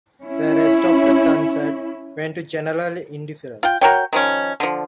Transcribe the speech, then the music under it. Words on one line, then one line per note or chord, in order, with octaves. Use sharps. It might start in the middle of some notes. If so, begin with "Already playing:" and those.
The rest of the concert went to general indifference.
C#4 E4
F4 G5
F#4 A#4 C#5 G5
D#3 F3 C#4
D3 F3